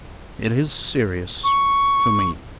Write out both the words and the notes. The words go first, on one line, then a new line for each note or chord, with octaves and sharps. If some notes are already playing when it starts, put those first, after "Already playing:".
"It is serious--for me."
C#6